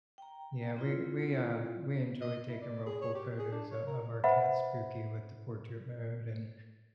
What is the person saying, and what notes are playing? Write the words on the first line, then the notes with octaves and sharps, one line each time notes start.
yeah, we we, uh we enjoy taking real cool photos o of our cat, Spooky, with the portrait mode, and,
G5 A#5
C4 E4 F4
D#5
E4
D5
G#4
C#5
G4
G#4
D4
C#5
A#4
B4 C5 E5 F#5 B5